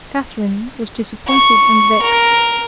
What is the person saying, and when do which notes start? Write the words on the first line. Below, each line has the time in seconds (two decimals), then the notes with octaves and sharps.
Catherine was disappointed and vexed.
1.27 C#6
2.02 A#4